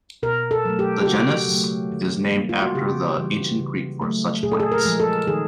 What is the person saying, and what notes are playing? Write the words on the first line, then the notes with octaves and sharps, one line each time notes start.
The genus is named after the Ancient Greek for such plants.
B2 A#4
A4
F#3 A3
G4
G4
C#3 F#4
F#3
A3
D#3
G3 A#3
F4
F#4
C#3 G4
E3 G3
C#3
F#3 A3
A#2 G#4
A4
G#4
A#4
F3 G#3
A4
D#3 G#4